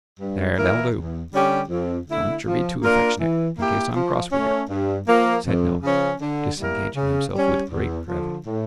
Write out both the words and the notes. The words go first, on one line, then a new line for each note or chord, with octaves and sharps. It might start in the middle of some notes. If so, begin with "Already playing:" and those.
'There, that'll do: don't yer be too affectionate, in case I'm cross with yer,' said Noah, disengaging himself with great gravity.
G2
E3 A#3 E4 A#4
E2
D3 G3 C#4 G4
F2
D3 A3 E4
F3
A#3 D4 F4 A#4
E3
A#3 E4 G4
F3
A3 C#4
G2
F3 A#3
F2
C#3 F3 C#4
D3
G3 A#3 E4 A#4
C#3
G3
C#4
E2
D3 F3
A2